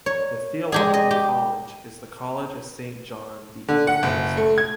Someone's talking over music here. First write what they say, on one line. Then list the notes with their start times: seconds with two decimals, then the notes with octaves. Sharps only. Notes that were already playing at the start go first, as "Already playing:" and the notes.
The theological college is the College of Saint John the Evangelist.
0.06 C#5
0.72 G#3 G4 G#4
0.94 D#5
1.11 G4
3.68 D3
3.87 F#5
4.03 F#1
4.37 A3
4.58 G#6